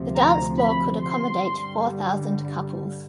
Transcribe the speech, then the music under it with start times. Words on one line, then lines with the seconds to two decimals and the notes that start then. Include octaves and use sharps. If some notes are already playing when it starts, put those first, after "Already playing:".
The dance floor could accommodate four thousand couples.
Already playing: D2 C3 F3
0.15 A#5
0.59 B5
1.01 C6
1.45 G2 D3 G3